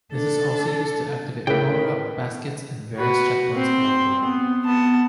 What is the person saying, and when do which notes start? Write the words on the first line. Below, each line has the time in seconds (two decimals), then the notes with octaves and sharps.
This is also used to activate powerup baskets and various checkpoints along the way.
0.13 D4 A4
1.47 A2 C#3 E4 G#4 A#4 B4 G5
2.97 F#4 B4
3.55 C4 C6
4.23 B3
4.66 B3 A5